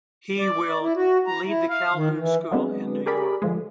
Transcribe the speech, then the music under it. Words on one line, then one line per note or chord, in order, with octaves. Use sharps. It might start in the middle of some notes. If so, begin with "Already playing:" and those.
He will lead The Calhoun School in New York.
D5
E4
F#4
A#5
E4
F5
D#3
E3
F#3 G#3 B3 C4 D4
G4 G#4 A#4 D5 B5
D3 F3 G#3